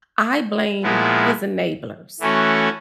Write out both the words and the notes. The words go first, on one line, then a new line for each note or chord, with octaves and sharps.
I blame his enablers
A#2 F3 G#3 B3 E4
E3 A3 C#4 F#4